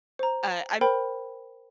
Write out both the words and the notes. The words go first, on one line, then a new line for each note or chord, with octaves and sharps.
uh, I'm
C5 A#5
A#4 C5 G5 B5